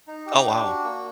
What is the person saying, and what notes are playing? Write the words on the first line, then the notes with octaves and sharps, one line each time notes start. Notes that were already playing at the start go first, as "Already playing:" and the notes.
Oh, wow.
D#4
G4
D4
F#4
A#3